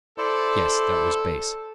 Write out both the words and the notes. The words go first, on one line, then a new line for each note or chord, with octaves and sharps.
Yes, that was base.
E4 A4 C5 D5